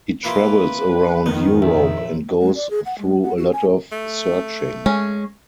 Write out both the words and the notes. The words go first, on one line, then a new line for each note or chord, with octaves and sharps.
He travels around Europe and goes through a lot of searching.
A#3 E4 F4 B4
F2 D#3 B3
A#1 E5
G#3
D5
G#4
F#5
G#3
F#5
F#4
G#5
A3
G#3 C#4